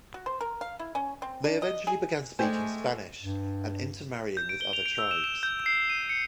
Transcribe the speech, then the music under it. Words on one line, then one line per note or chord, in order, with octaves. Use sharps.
They eventually began speaking Spanish and inter-marrying with other tribes.
F#4
C5
A#4
F5
E4
C#4
C4
D4
D#5
G#4
G#3 A3 C5 D5 G5 G#5
G2
G6
D7
G7
F7
D7
E6
E7
E7
G6
C7
D#7
C#7